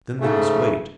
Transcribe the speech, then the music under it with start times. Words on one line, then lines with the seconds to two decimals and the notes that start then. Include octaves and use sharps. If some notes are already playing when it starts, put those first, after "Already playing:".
Then they must wait.
0.20 G#2 C#3 A3